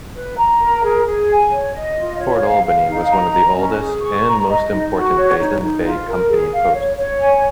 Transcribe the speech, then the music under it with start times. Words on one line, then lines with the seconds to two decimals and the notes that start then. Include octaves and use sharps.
Fort Albany was one of the oldest and most important Hudson's Bay Company posts.
0.15 B4
0.37 A#5
0.60 A#4
0.83 G#4
1.06 G#4
1.29 G#5
1.51 C#5
1.74 D#5
1.97 F4
2.20 C#5
2.42 F5
2.65 F5
2.88 D#4
3.11 A#5
3.34 D#5
3.56 C#4
3.79 G#4
4.02 C#6
4.25 A#5
4.47 D#5
4.70 D#4
4.93 F#4
5.15 C#5
5.38 D#4
5.60 D#4
5.83 F4
6.06 A#4
6.29 G#4
6.52 F5
6.75 C#5
6.97 C#5
7.20 G#5